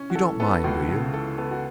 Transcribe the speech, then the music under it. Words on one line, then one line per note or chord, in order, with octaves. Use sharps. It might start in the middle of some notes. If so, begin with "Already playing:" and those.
You don't mind, do you?
Already playing: C#4
F#4
E3 A4
B3 A4
C#2 F#4
C#3 A4
E3 A4
B3 A4
F#4